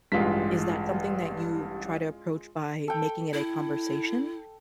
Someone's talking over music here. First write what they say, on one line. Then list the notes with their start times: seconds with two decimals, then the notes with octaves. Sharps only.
is that something that you try to approach by making it a conversation,
0.12 A1 G2 G#3 F4 B6
2.88 A4 G5
3.33 E4